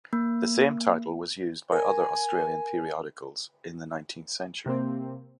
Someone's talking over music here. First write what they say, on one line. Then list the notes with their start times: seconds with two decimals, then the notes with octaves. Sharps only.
The same title was used by other Australian periodicals in the nineteenth century.
0.13 A#3
1.72 A#4 G#5
4.66 C3 A#3 C4